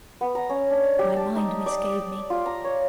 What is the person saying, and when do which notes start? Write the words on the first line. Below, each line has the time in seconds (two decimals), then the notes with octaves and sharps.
'My mind misgave me.
0.21 B3
0.35 A#5
0.49 C#4
0.70 D4
0.99 G4
1.16 A5
1.36 D#4
1.66 D5
2.30 F4
2.46 A#5
2.64 C#5